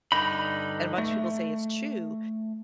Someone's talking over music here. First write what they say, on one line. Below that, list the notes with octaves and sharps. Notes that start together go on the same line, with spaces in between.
and a bunch of people say it's true,
G2 D3 D#4 B5
A3